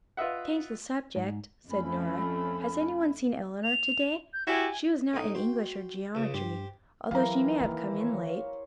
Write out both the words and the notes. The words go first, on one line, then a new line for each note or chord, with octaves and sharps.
"To change the subject," said Nora, "has any one seen Eleanor to-day? She was not in English or geometry, although she may have come in late."
F4 B4 D#5 E5 F#5
G#2
F2 A3 C#4 B5
F7
G6
E4 F#4 G4 G#5
A2 D#4
F#4 G5 C6
C#2 C#3
G2 G4 C5
E3 F#3 G4 A#4 F5 A#5
D#3 A#3
E4 C5 C#5